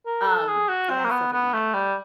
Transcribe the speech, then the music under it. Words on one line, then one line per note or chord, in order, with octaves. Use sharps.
Um, and I still didn't like it.
A#4
A4
G#4
F#4
C4
A#3
B3
B3
A3
G3